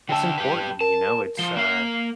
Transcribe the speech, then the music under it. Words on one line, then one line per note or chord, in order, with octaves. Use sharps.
it's important, you know, it's, uh
D3 E5 G5 A5
G4 B4
A#4 A5
F3 G7
A#3 F5